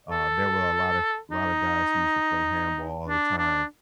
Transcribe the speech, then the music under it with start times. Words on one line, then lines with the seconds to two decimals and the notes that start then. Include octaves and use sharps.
uh, there were a lotta lotta guys who used to play handball all the time.
0.11 A4
1.31 D#4
3.08 D4
3.38 D4